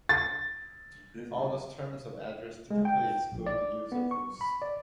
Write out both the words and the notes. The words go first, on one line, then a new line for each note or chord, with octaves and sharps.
All those terms of address typically exclude the use of "vous".
A6
G#3
G5
A#1
D5
B3
C#6
B5
D5